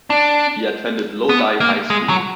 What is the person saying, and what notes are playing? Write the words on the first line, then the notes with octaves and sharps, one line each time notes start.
He attended Lodi High School.
D4
B3
A#3
G#3
F#3